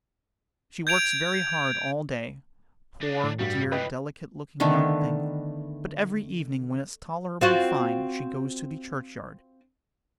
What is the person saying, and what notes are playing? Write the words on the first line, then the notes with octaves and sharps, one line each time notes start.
She works very hard all day,--poor, dear, delicate-looking young thing; but every evening when it's tolerably fine, she goes to the churchyard.
G6 G#6 D7 F7
D4 D#4
A2
G2 G3 F#4
C#2 A2 B4 D#5 G5 B5 F#6
D3 D#3 A3 B3
C4 F4 F#4